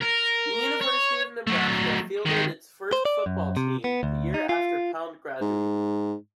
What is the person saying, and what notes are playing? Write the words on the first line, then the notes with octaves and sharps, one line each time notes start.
The University of Nebraska fielded its first football team the year after Pound graduated.
A#4
C#5
F#3 A3
D#3 G#3
C5
D5
F#2
C3
B3
D2
D#4
F4
G#2